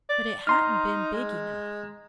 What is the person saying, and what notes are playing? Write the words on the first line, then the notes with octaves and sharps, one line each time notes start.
But it hadn't been big enough.
D5
D#4 A#5 C6 F6
G#3